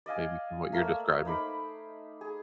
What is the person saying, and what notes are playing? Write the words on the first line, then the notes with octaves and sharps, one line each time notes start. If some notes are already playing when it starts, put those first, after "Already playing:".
maybe from what you're describing.
D5 D#5 F5 G#5
A3 A#3 A#4 C#5
D#4 C5 B5 D6
G#4